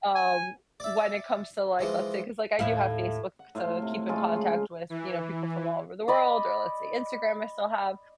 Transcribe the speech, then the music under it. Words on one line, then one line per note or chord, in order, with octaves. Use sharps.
um, when it comes to, like, let's say 'cause, like, I do have Facebook to keep in contact with, you know, people from all over the world, or let's say, Instagram, I still have.
G#5
D5 E5
E3 F3 G#3
D#2 A2 E4 F5
F#5
A2 F4 C5 F5
C3
C#3 G#3 A3 F4
G#3 F4
E3
D5 D#5 B5